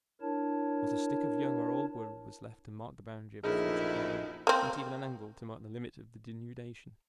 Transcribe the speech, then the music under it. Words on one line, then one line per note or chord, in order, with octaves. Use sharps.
Not a stick of young or old wood was left to mark the boundary of a future clearing, not even an angle to mark the limit of the denudation.
D4 E4 A#4 C#5 A5
A#1 F#2 A3 D#4 E4 G#4
A#3 C4